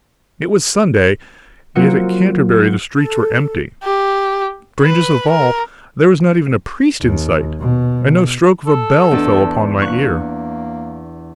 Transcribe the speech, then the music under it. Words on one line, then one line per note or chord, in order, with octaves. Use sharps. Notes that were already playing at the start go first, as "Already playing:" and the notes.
It was Sunday; yet at Canterbury the streets were empty; strangest of all, there was not even a priest in sight, and no stroke of a bell fell upon my ear.
F#3 A#3 C4 F4 F#4 C#7
A4
G4
B4
A#4
D#2
B2
A4
E2 D4 A5
A#3 C#6 F#6